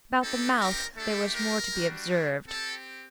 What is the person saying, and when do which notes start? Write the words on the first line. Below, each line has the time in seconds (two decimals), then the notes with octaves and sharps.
About the mouth there was more to be observed.
0.22 C4 D#4 G4 A4
0.60 A#4
0.96 A3 D4 G4 A4
1.34 A#4
1.72 G3 D4 F#4
2.47 C4 G4 A4